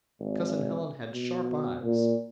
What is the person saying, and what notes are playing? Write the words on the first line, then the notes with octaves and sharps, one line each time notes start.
Cousin Helen had sharp eyes.
G#1
B2
A#2